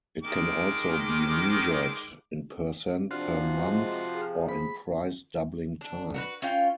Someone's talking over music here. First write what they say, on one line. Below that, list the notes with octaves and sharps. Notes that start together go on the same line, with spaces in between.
It can also be measured in percent per month or in price doubling time.
D#3 G#3 D6
C3 F3 D4 F4 F#4 C6
G#3
G#4
B5
D4
F#4 A#4 B4
C#4 F4 G5